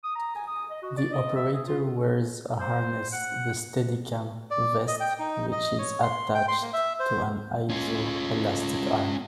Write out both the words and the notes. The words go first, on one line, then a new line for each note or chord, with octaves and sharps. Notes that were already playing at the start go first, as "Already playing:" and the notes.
The operator wears a harness-the Steadicam "vest"-which is attached to an iso-elastic arm.
D#6
A#5
G#5
D#6
D#5
F#4
D5
D#5
E5
G#4
F4
C5
F#5
D5
D#5
G5
D#4
D#5
C#5
C6
G5
C6
A#3
E5
C5
C#4 F4